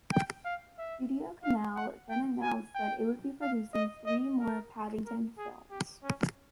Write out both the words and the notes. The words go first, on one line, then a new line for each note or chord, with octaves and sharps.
StudioCanal then announced that it would be producing three more "Paddington" films.
G5
F5
E5
F5
F#5
G5
G#5
G5
F5
D#5
D#5
A#4
A#4
G#4
G4
C#4